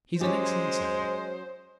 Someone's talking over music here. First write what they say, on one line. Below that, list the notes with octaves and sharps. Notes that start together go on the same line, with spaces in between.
He's an excellent servant.
F#3 G#3 C#4 G4 C5